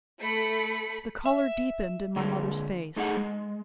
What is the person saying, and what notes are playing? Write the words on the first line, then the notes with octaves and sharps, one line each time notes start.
The color deepened in my mother's face.
A3 B5 C#7
E5
D3 G#3
A3 D#4 G#4 A4 F#5
G#3